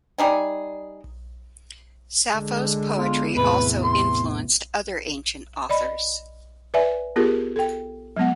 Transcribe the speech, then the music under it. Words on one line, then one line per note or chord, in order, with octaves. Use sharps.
Sappho's poetry also influenced other ancient authors.
G3 D#4 G#4
D3 G#3
B3 F4
E2 A2 C3 B4
C6
D5 D#5 B5
B4 D5 E5 G#5
B3 F4 G4 G#4 A#4
A4 G5
F#3 G#3 B3 F#5